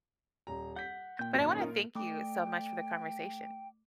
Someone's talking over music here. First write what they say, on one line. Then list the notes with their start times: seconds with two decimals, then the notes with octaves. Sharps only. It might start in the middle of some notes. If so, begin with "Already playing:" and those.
But I wanna thank you so much for the conversation.
0.47 D#1 A#5
0.76 F#5 G6 B6
1.19 A#2 G5 G6
1.34 G#1 F#2 C#4 D#4
1.59 F4 A#4
1.95 A3 G5 D6